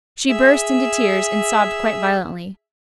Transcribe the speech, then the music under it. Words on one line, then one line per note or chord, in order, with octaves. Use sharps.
She burst into tears, and sobbed quite violently.
G#4 E5 E6